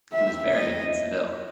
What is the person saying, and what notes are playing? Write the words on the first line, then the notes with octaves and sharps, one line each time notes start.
He was buried in Seville.
E5
D#5